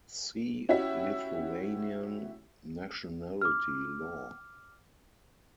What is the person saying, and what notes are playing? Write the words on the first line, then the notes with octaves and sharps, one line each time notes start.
See Lithuanian nationality law.
C#4 E4 F#4 G4 E5
D6 F6